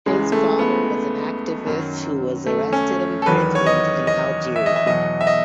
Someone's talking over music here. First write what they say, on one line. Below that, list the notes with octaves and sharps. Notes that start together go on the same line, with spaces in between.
His father was an activist who was arrested and imprisoned in Algeria.
C#2 C#3 E3 G#3
A3
B3
F#2 D#3 F#3
A3
C#4
A4
E2 D#3 F#3 B4
C#5
D#5
D#5
E5
D#5
E5
E2 B2 F#3 D#5
E5
D#5